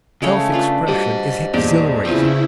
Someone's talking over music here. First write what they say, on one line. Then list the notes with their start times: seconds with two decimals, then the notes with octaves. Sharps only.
Self-expression is exhilarating.
0.22 C#3 G#3 A3 C#5
0.52 D4 F4 B4
0.88 G3 F#4 C5 D5 D#5
1.53 E2 A#2 G3 D4 D5
2.05 C#3 C4 E4 F4 G#4 B4